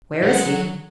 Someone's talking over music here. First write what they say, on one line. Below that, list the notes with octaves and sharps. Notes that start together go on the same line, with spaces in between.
"Where is he?"
F#3 F#5
G#3
F#3